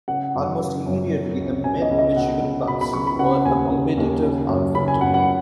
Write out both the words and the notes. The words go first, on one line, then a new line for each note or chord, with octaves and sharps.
Almost immediately, the Mid-Michigan Bucks were a competitive outfit.
C#3 F#5
F#2
C#3
F#2
B2
C#2
B2 G#5
D#5
C#2
D#5
B2 F#5
C#2
B2 B5
B5
C#2 C#6
B5
C#3 F#5
D#2 G#5
C#3
D#2
C#3
F#2
C#3 B5
G#5
F#2 F#5
F#5